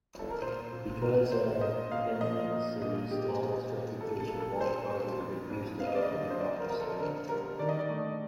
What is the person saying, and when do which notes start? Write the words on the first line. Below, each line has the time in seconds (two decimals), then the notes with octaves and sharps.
Because of Panamint City's lawless reputation, Wells Fargo refused to open an office there.
0.19 A4
0.30 A#4
0.42 A#2 C5
0.72 A#2
1.02 A#2 A#4
1.32 A#3 C5
1.61 A#2 D#5
1.91 A#2 F5
2.21 F3 D#5
2.51 A#2
2.81 A#2 D#5
3.11 A#2 G4
3.41 A#2
3.71 A#2
4.00 A#2 A4
4.20 A4
4.31 A#3
4.40 A4
4.61 A#2 C5
4.90 A#3
5.20 F2
5.50 F2
5.80 F2 F5
5.87 D#5
5.95 D5
6.03 D#5
6.10 D3
6.30 C5
6.40 F2 D5
6.59 A#4
6.70 F2 A#4
6.80 A4
6.99 D3 A#4
7.29 G3 A#4
7.59 D#3 D5
7.69 D#5
7.79 D5
7.89 A3